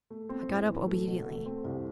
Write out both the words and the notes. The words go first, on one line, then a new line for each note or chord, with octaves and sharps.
I got up obediently.
A3
C4
A2
E3
A3
B2
A3
C4
C2